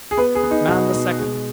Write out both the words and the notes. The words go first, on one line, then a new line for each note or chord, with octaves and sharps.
Man the second.
G#4
B3 B4
G#4
B3
D#4
B2 F#4
B2
G#3